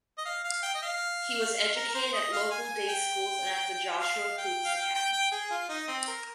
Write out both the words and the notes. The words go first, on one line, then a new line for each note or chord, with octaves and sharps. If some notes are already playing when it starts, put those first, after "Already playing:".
He was educated at local day schools and at the Joshua Hoopes Academy.
D#5
F5
F5
G5
D#5
F5
A#4
A#4
C5
D#5
F5
G#5
G5
F5
G5
F5
G5
G5
G5
G#4
F4
D#4
C4
A#4